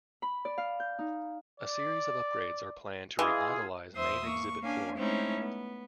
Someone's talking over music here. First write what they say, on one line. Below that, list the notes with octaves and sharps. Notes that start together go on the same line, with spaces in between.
A series of upgrades are planned to revitalize main exhibit floor.
B5
D5
F5
G6
D#4
D5
E3 F4 G#4 D#5
E2 C5 E5 C6 D#6
A#3 C#6
A#3 C#4 D4 F5 G#5
G#3 A3 C4 C#4 D#4 E4
B3